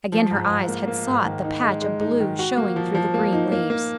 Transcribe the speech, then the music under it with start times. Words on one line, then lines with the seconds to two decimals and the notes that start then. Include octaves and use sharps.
Again her eyes had sought the patch of blue showing through the green leaves.
0.12 F3
0.31 G#2
0.50 G#2
0.69 A#3
0.88 A#3
1.07 G#2
1.25 D#3
1.45 D#4
1.63 G#3
1.82 G#3
2.01 D#4
2.20 D#3
2.39 F#4
2.57 A#3
2.76 F3
2.95 F3
3.14 A#3
3.33 D#4
3.52 A#3
3.70 A#3